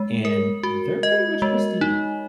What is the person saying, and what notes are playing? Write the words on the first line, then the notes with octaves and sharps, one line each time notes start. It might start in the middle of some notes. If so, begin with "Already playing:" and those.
and they're pretty much pristine.
Already playing: G#3
A#4
F#4
D#5
G#3
D#4